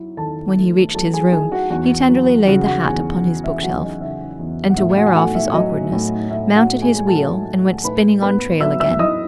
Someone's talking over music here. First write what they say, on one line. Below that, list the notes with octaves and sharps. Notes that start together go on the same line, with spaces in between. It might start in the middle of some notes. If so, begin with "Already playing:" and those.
When he reached his room, he tenderly laid the hat upon his bookshelf, and to wear off his awkwardness, mounted his wheel and went spinning on trail again.
Already playing: F#3 E4
D#3 A4 A5
A3
F#3 A4 A5
G#4 G#5
E4 G#4 G#5
F#4 F#5
E2 F#4 F#5
F#3
C#3 F#4 F#5
F#4 F#5
E2 G#4 G#5
E2
E5
F#3 F#4 F#5
D#5
C#3 E5
E2
F#5
A2 E5
F#4 F#5
G#5
A3 F#4 F#5
E5
F#3 D#5
A2
A2 E5
F#4 F#5
A3
G#4 G#5
G#5
F#3 A4 A5
A2
A2 B4 B5
B3 B4 B5
F#3 E5 E6
E5 E6
E4 D#5 D#6